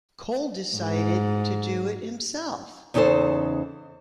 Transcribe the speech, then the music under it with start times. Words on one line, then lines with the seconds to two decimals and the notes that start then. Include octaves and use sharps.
Cole decided to do it himself.
0.76 G#2
2.94 E2 C#3 D#4 G4 A4 C5